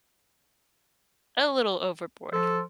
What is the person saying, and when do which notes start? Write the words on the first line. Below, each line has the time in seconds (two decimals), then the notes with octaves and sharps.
a little overboard
2.33 F3 A4